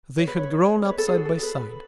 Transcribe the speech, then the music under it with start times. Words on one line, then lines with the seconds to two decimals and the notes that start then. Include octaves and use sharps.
They had grown up side by side.
0.18 C#5
0.27 B4
0.37 C#5
0.85 C#5
0.90 B4
0.98 A4
1.08 G#4
1.17 F#4
1.25 A4
1.43 B4
1.61 B4